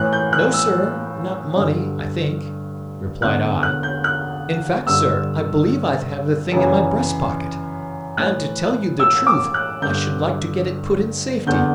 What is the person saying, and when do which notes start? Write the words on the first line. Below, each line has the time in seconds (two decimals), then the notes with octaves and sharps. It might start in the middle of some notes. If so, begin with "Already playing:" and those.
"No, sir; not money, I think," replied I. "In fact, sir, I believe I have the thing in my breast pocket; and to tell you the truth, I should like to get it put in safety."
Already playing: A2 E3 F#6
0.13 G6
0.33 F#6
0.53 E6
1.56 G2 D3
3.22 E2 D3 F#6
3.63 F#6
3.83 G6
4.04 F#6
4.86 G2 D3 E6
6.52 F#2 C#3 E3
8.17 A2 E3 F#6
9.00 E6
9.27 D6
9.54 F#6
9.82 G2 D3 G6
11.46 E2 D3 G6